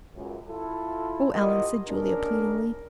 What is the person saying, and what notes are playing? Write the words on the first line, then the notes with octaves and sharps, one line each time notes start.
"O Ellen!" said Julia pleadingly.
C#2 F#2
E4 F4 A4
B3 E4 F4 G4 A#4 D#5
A#2 D#3 C#4 D4 G#4 A#4